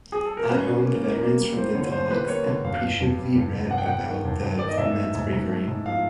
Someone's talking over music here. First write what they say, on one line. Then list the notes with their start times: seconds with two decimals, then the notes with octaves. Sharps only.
At home, the veterans from the "Dogs" appreciably read about the men's bravery.
0.12 G#4
0.25 A4
0.37 A#4
0.49 C#4 B4
0.68 A#3
0.85 A#3
1.03 A#3
1.22 A#3
1.39 G3
1.57 G3 C5
1.75 D3 C#5
1.92 G3 C5
2.10 G3 B4
2.28 A#3 C#5
2.46 D3
2.64 G2 F5
2.81 G2
3.00 G2
3.18 G3
3.35 G2
3.53 G2
3.71 G2 F#5
3.78 G5
3.86 G2 F#5
4.07 D#3
4.25 G2
4.43 G2
4.59 D#3 D5
4.68 D#5
4.78 G#2 E5
4.97 A3
5.15 G#2
5.33 G#2
5.50 A3
5.67 G#2
5.86 F3 F5